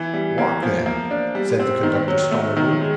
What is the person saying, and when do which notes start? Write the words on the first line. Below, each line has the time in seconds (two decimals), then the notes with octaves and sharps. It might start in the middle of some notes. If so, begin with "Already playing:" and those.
'Walk then,' said the conductor stolidly.
Already playing: E3
0.13 G3
0.38 A#3
0.63 F3
0.86 A#3
1.11 D4
1.35 G3
1.59 C4
1.83 D#3
2.08 F#3
2.31 A3
2.57 D#3
2.81 G#3